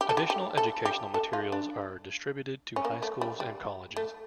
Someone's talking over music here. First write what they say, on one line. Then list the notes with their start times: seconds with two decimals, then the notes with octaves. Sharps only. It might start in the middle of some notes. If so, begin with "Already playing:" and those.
Additional educational materials are distributed to high schools and colleges.
0.01 G4
0.09 A4
0.17 G4
0.30 G4
0.57 A4
0.85 G4
1.14 A4
1.33 F4
1.52 D4
2.76 C#4
2.85 A#3
3.02 A3
3.21 G3
3.40 G3
3.96 A3